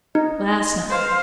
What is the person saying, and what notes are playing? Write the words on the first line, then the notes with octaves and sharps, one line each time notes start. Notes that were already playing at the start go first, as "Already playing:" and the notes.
'Last night.
D#4 D#5
B4 C5 F5